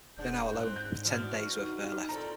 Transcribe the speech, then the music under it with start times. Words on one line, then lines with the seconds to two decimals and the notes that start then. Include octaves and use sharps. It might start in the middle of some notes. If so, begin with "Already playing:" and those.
They are now alone, with ten days' worth of air left.
0.18 E1 G#2 G#3 D4 F#5 G6
0.52 G#2 C4 C5 F#6
0.76 G6
1.05 E3 B3 D4 F#4 F6
1.57 D#4
2.09 A#2 C4 A4 D5 A#5